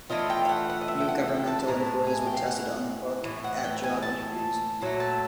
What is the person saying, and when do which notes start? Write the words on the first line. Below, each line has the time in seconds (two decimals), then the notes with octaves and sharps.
New governmental employees were tested on the book at job interviews.
0.10 E3 A3 D4 F4 D#5
0.30 G5
0.45 F5
0.49 F#5
0.70 F#5
0.81 D#5
0.88 E5
1.00 G5
1.08 F#5
1.28 G5
1.47 A5
1.60 A5
1.67 A2 E3 G#3 A#5
1.86 A5
2.07 G#5
2.26 G5
2.36 F5
2.46 F#5
3.24 A2 E3
3.44 F#5
3.64 G5
3.84 G#5
4.02 A5
4.82 A#2 F#3 A3
5.00 A5